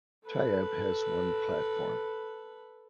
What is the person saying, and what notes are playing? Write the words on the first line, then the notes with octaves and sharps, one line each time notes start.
Tyabb has one platform.
A4 B4